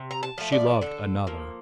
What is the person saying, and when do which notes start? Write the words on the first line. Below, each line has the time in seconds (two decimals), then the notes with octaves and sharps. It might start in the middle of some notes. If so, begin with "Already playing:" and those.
She loved another.
Already playing: C3
0.11 A#5
0.23 A5
0.38 F3 A3
0.52 D5
0.81 D3 A4
1.27 F3 A#3